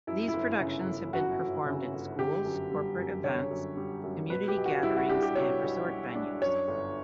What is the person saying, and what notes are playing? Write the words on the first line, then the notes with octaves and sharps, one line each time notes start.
These productions have been performed at schools, corporate events, community gatherings, and resort venues.
F#2 E4
E4
G1
C#3
G1
F#2 F#4
G1
C#3
G1
D3 G4
F#2
G3
F#2
D3 C#5
F#2
G3
F#2
B2 B4
G4
B1
F#4
G3 E4
F#4
D4 G4
G4
B2 C#5
B1
G3
D4
F#2 C#5
G1